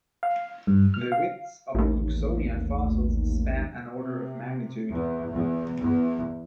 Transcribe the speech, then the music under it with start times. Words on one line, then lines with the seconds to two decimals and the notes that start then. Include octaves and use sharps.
The widths of "Cooksonia" fossils span an order of magnitude.
0.23 F5
0.67 G2
0.94 F6
1.12 F5
1.74 A1 D#2
3.98 C3
4.91 E2
5.35 E2
5.79 E2